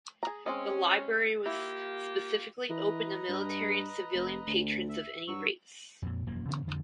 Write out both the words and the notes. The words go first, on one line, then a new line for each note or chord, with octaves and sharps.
The library was specifically open to military and civilian patrons of any race.
G#4 A#5
G#3 C4 C#4 D#5
A#3 E4 F4 G4
E3 B4 D#5 A#5
G2
F1
D2
E5
G2 F#3 C#6 E6
F2 A#2
E1 F#2 F3 A#3
C#3 E3 B3 C#4
F2 D3 E3 F3